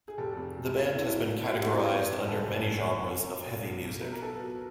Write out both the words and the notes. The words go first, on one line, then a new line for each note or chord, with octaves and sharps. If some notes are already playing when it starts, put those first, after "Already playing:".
The band has been categorized under many genres of heavy music.
G#4
F1 G4 A4
F2
F#3
F1
D3 E4
F#3 E4
F4
F#3
F#4
F2 G4
E4 F#4
F2 A#4 C5
F2 B4 C#5
F1
D3 A4 B4
F1
D3
F#3
F2
F#3
B1
B2
B1
F#3 B4
A#4
B2 A4 B4
F#3